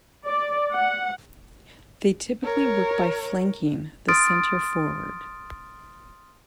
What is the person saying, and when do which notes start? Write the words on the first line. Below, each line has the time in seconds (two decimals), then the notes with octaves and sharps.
They typically work by flanking the centre forward.
0.24 D5
0.74 F#5
2.44 A#4 C#5
4.08 C6 D#6 F6 A6 D7